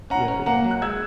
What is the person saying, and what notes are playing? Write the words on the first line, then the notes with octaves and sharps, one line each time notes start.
Yeah, yeah.
C#4 F#5 A#5
C#4
A#3 F#5 A#5
F#3
F#6
G#3 E6 G#6